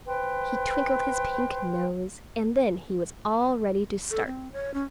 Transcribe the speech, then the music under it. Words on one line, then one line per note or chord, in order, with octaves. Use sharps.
He twinkled his pink nose, and then he was all ready to start.
B4 C5 G5 C6
A4
C4
C#5
C#4